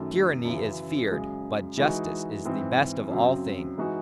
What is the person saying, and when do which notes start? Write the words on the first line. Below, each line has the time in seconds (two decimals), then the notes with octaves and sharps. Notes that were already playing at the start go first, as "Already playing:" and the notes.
Tyranny is feared: but justice is the best of all things.
Already playing: F#2 D#3 A3
0.45 F#2 C#3 E3
1.11 F#2 C#3 G#3
1.77 E3 G#3 D#4 F#4
2.45 G#2 E3 C4
3.10 F#2 C#3 F#3 C4
3.78 E3 G#3 D#4 F#4